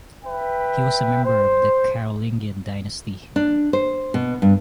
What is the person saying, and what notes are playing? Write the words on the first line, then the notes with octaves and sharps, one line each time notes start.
He was a member of the Carolingian dynasty.
B4 E5 G5
C5
D4
C5
B2
G2